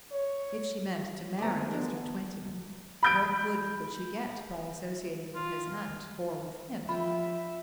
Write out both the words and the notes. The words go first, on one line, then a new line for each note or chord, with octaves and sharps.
If she meant to marry Mr. Twentyman what good could she get by associating with his aunt or with him?
C#5
G1 C4 D5 G#5 A#5
D2 G#3 B3 D4 A#4
B5 G6 D7
F4
F3 F4 E5 G5 B5